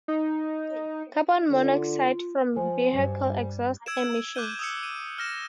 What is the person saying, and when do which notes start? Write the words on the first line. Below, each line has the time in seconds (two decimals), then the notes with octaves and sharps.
Carbon monoxide from vehicle exhaust emissions.
0.08 D#4
1.50 D3 F4
2.56 F3 C5 G#5
2.92 G2 F#3
3.24 G3
3.86 E6 G#6 D7 E7
4.35 D6 F#6 G6 D#7 G7
4.59 D#6 E6 C#7
4.83 D#7
5.18 F6 A#6 E7